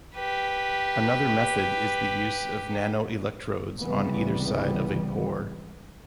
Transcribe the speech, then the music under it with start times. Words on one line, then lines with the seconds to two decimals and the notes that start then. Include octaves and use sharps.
Another method is the use of nanoelectrodes on either side of a pore.
0.16 G4 B4
3.82 C#2 C3 E3 G3 B3